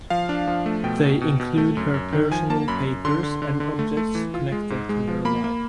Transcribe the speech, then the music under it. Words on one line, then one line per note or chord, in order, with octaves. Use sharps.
They include her personal papers and objects connected to her life.
F3 F5
D4
F3
A3
B2 G5
B2
B2
B2
A3
F#2
F#2
D#3
F3 G#5
A#3 A5
F#2 B5
F#2
D3 C6
D3
D3
D3
A3
A3
E3
F4
G#3
G#2
G#3
F3
A#3 B5
A#3